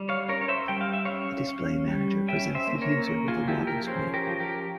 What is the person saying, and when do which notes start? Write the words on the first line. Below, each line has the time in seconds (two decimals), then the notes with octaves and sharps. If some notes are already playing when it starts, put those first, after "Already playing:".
A display manager presents the user with a login screen.
Already playing: G3
0.09 C#5 F5
0.28 C#4 A#4 C#5
0.41 C#5
0.48 C5 E5
0.68 G3 G5
0.81 F5
0.93 E5
1.05 C#4 C#5 F5
1.49 C#4
1.88 G3
2.28 C#4 E5 G5
2.55 C5 E5
2.68 A#3
2.82 A#4 C#5
3.07 A#3
3.28 F4 G#4
3.47 F3 E4 G4
3.67 G4 A#4
3.87 C#4 G#4 C5
4.14 G4 A#4
4.27 F3
4.40 G4 A#4